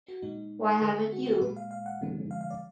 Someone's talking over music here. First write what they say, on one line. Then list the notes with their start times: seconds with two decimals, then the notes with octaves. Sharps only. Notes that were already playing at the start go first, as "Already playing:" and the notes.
Why haven't you?
0.08 F#4
0.22 A#2 G#3 D#4
0.81 D3 G#3 A#4
0.97 G#4
1.12 F#4
1.26 F#4
1.41 A#2 G#3 B4
1.56 F5
1.71 F5
1.86 F#5
2.01 D3 F3 G#3
2.31 F5
2.41 F5
2.50 D5